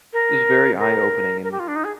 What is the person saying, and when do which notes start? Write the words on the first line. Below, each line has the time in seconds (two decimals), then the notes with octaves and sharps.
it was very eye opening, and
0.13 A#4
0.79 A#4
1.43 A#4
1.52 G4
1.60 F4
1.68 D4
1.76 D#4
1.84 G#4